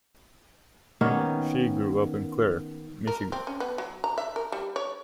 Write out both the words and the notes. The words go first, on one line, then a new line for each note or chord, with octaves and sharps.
She grew up in Clare, Michigan.
D#3 A#3 B3 C#4
A#4
C4
C#4
B3
F#3
A#5
E5
A#4
G3
C#5